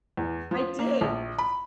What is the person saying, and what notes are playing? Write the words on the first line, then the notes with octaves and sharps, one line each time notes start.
I did.
E2
F3
A#3
A#1
B5